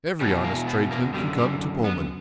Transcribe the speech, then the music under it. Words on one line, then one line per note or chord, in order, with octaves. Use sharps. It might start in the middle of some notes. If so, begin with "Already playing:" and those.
Every honest tradesman can come to Pullman.
E2 B2 G3
A#3
B3
A#3
F#2 D3 G3
G3
B3